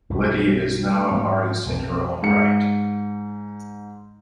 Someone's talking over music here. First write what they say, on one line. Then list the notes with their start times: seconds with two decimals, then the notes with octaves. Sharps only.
Lydia is now an artist in her own right.
0.10 B1 G2 E3
0.84 A3
1.11 G#2
1.65 B1 F2
2.23 G#2 C#7